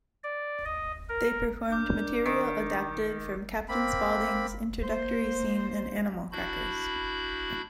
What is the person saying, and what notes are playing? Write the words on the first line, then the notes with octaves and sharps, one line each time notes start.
They performed material adapted from Captain Spaulding's introductory scene in "Animal Crackers".
D5
D#5
A#4
D4 A#4 D6 F6 G6
D#3
A#3 C4 B5
A#3 C5
D4 E4 F#4 B5 G6